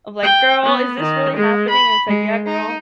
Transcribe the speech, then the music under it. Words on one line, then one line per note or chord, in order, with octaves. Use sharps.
of like, "Girl, is this really happening?" And it's like, "Yeah, girl."
G5
B3
D#3
G#3
B5
G#3
D#4